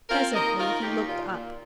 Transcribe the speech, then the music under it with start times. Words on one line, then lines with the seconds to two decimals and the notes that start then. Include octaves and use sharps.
Presently he looked up.
0.09 C4 F4 A#4
0.34 D#2 A#4 D#5
0.58 D#3 F4 A#4
0.83 D#2 D#4 G4
1.07 A#2 F4
1.31 A#2